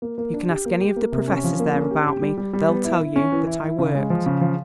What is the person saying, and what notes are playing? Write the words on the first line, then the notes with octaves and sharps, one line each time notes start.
You can ask any of the professors there about me. They'll tell you that I worked.
A#3
A#3
D4
G4
A#3
G4
A#3
C3
C#4
F3
A#3
C#4
G4
G4
G3
G3
G3
B3
E4
E4
C#4
E3
E4
E4
C#3
G#3
F3
C#3
F3